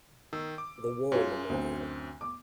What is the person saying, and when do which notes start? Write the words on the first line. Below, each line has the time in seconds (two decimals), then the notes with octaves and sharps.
The war memorial.
0.33 D#3 E6
0.58 D6
1.12 F#2 C#4 F4 G#4 C#5
1.50 D2 C4
2.21 D6